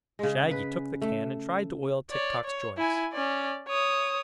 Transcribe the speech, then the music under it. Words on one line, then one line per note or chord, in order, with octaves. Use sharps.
Shaggy took the can and tried to oil Tik-Tok's joints.
C#3 G#3
B4
A3
C#5 D5
C#5
E4 G#5
C#4 D5
C#5 D#6